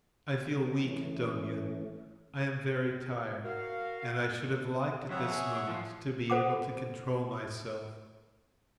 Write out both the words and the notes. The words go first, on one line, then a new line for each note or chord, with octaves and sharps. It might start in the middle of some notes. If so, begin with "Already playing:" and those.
"I feel weak, Dounia, I am very tired; and I should have liked at this moment to be able to control myself."
E3 A3 C#4
F#4 A#4 F5
F2 C#5 E5 F#5
G#4
F3
A4 C5 F#5 D6